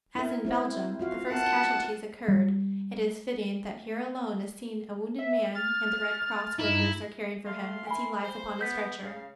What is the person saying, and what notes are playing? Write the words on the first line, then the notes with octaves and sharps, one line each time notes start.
As in Belgium the first casualties occurred it is fitting that here alone is seen a wounded man and the Red Cross workers are caring for him as he lies upon a stretcher.
E4 A#4
C4 E4 C5
F4 F#4 F5
A#4 F#5 A5
G3
E5
F6 A6
G2 D#4 E4
A3 F5 C6
E4 A#4 G#5 B5 C6
C5
B3 G6 B6
C#3 F5